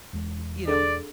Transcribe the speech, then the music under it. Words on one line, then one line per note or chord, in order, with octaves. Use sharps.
you know,
E1 E2 G#3
D4 G#4 A4 D5